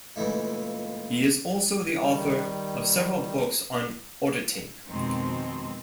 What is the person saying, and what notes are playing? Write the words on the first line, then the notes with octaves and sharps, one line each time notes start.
He is also the author of several books on auditing.
C#2 A#2 E3 A3 D#4
D#3 G3
F2 B2 D#3 G#3 C4 C5